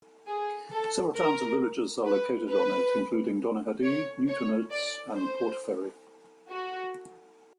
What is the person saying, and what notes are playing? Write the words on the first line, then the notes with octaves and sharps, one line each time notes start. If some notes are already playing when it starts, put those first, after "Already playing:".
Several towns and villages are located on it, including Donaghadee, Newtownards and Portaferry.
G#4
A4
A#4
B4
B4
C#5
C#5
D5
C5
F#4